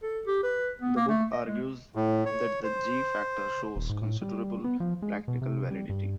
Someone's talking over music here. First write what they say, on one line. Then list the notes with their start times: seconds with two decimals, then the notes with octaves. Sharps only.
The book argues that the "g" factor shows considerable practical validity.
0.03 A4
0.27 G4
0.43 B4
0.82 B3
0.96 A#3
1.09 A3
1.32 D#5
1.46 G#3
1.95 A2
2.26 C#5
2.64 C5
3.76 D#1
3.89 G#2
4.02 A2
4.22 G3
4.64 B3
4.80 F3
5.02 G#3
5.28 B2
5.42 C3
5.71 G3
5.89 G2